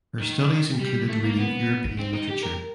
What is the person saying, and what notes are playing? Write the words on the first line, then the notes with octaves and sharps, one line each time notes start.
Her studies included reading European literature.
D#3
G3
A3
A#3
B3
C4
D#4
G4
A#4